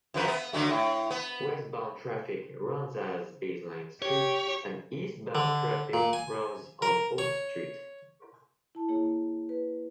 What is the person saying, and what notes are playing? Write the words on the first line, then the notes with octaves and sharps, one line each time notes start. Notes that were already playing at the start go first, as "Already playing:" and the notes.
Westbound traffic runs as Baseline Street and eastbound traffic runs on Oak Street.
F#2 F3 B4
B3
D3 F#3 A3
A2
B3
G4 C#5
D3
A#2
G#5
A#4
C#5
E4 A5
A#3 E4 G#4 C#5
B4